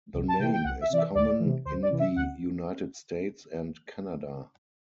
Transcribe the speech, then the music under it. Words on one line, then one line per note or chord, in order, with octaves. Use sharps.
The name is common in the United States and Canada.
C2
A5
C3 E3 G5
G5
C2 F#5
E5
C3 E3 D5
E5
D2 D5
C3 E3
D2 C5
D5
C3 E3
E5
D2 F#5